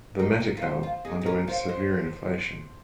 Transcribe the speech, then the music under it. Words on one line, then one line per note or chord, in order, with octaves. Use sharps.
The metical underwent severe inflation.
D#4 A#4
D#4
F4
D#4 C5
F4
D#4 G#4
D#4
C#4 A#4
F4 C5
D#4 C5